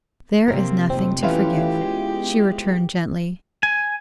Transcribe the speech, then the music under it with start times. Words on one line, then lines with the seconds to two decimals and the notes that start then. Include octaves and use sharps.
"There is nothing to forgive," she returned gently.
0.48 C3 A#3 C4 A#4
0.90 F2 A2 D#3 C4
1.23 E3 A3 B3 C#4 E4 F4 G4
1.81 G#3
3.63 G#5